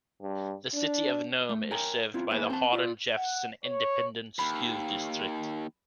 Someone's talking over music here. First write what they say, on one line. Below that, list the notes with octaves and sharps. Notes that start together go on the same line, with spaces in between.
The City of Nome is served by the Hardin-Jefferson Independent School District.
G2
D4
A3
A#4 C#5 G5 G#5 A#5
C4 E4 F4
A#3 B3 E4 G#4 B4 C5
C4 A5
F4 D5
F#5
C#5
D#2 B5